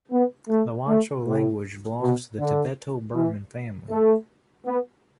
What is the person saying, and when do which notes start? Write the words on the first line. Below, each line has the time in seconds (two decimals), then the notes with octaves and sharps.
The Wancho language belongs to the Tibeto-Burman family.
0.12 B3
0.49 A3
0.87 A3
1.26 A2
2.02 B2
2.39 D3
3.15 E3
3.90 A3
4.66 B3